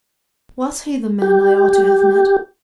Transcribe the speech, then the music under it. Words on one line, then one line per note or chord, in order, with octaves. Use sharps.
Was he the man I ought to have met?
G4